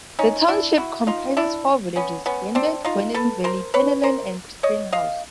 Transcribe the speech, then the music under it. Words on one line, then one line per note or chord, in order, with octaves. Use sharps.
The township comprises four villages: Gwynedd, Gwynedd Valley, Penllyn, and Spring House.
C#4 D#4
D4 E4
E4 F#4
D#4 F4
D4 E4
B3 C#4
B3 C#4
C4 D4
D#4 F4
A4 B4
A#4 C5
B4 C#5
A#4 C5
C#5 D#5
D#5 F5